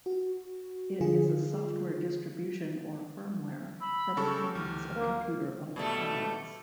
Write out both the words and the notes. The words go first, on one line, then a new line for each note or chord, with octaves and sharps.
It is a software distribution or firmware that implements a computer appliance.
F#4
D3 F3 F4 G#4
B5 E6
C#3 G4 A4 C#6 E6
D2 F6
A#3
B2 G3 A3